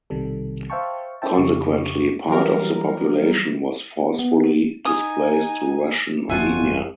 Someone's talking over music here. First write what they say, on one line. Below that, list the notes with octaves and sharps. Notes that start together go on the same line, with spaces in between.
Consequently, part of the population was forcefully displaced to Russian Armenia.
B1 C3 D#3 G3 A4
C5 E5 F5 G5 A5 C#6
C#4 E4 C5 E5 G5 A5
F2 C#3 G4 C#6 D6
E3 F#3 G3 A#4
B3
D#4 G#5 D#6
G1 F2 F3 F4 F#4 E5 G#5